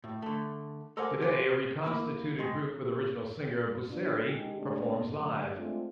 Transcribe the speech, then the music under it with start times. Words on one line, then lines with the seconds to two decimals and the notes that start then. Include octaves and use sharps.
Today, a reconstituted group, with original singer Busseri, performs live.
0.04 A2
0.22 D3 A3
0.97 A4 A#4 C5 D5 F#5 G#5
1.21 G4 B4 C5 F5 G#5
1.84 A#3 C#4 E4 A#4
2.39 D#3 G#3
3.90 B3 D4 F4
4.25 D#3 G#3 D#4 G4
4.57 C#3 G#3 A3 C4 D4
5.15 D3 F#3 A3
5.55 G#3 A3 C4 D4 F4